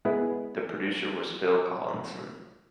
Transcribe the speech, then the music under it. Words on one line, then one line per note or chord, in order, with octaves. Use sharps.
The producer was Phil Collinson.
G#3 B3 E4 G#4 B4